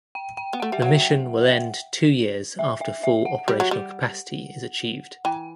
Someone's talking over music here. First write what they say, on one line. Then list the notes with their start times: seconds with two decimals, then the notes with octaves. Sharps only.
The mission will end two years after full operational capacity is achieved.
0.15 G5
0.37 G5
0.53 B3
0.60 A3 F#5
0.72 G3 E5
0.82 F#3 F#5
2.59 E5
2.81 E5
3.04 E5
3.25 F#5
3.48 G3
3.60 F#3
3.71 G3
5.25 E3 G5